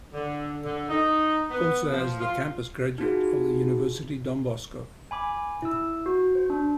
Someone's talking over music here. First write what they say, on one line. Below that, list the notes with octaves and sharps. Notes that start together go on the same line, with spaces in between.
Also has the campus graduate of the University Don Bosco.
D3
D3
D#4
B3
F3
F4
D#4 F4 F#4 G#4
G#5 B5 D6
E4 E6
F#4
C5
D4